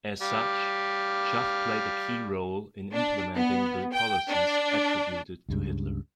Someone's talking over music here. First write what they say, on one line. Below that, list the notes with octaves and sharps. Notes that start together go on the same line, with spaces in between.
As such, Schacht played a key role in implementing the policies attributed to Hitler.
G3 F5
D4
B3
G5
D4
C#2 G2 C#3